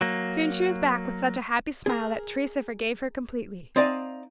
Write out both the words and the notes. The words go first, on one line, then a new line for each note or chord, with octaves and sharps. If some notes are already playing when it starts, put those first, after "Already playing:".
Soon she was back with such a happy smile that Teresa forgave her completely.
F#3 A#3
G#4 A#4
C4 D#4 D5 E5 F5 G#5